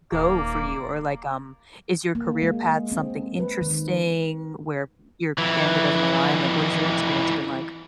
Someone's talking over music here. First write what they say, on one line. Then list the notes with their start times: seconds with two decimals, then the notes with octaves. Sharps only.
go for you? Or, like, um, is your career path something interesting where p your family doesn't align? Like, what has your experience been like?
0.12 D#1 A#3 D5
2.15 A#3
2.42 G#3
2.92 C4
3.39 B4
3.61 D#3
5.38 F2 E3